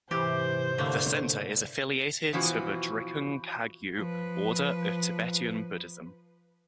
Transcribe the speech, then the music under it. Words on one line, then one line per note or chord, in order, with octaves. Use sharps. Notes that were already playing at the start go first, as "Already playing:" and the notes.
The Center is affiliated to the Drikung Kagyu order of Tibetan Buddhism.
G#2 C3 E3 G4 C5
A2 D3 A3 A#3
B2 E3 F3 F#4
F3 B4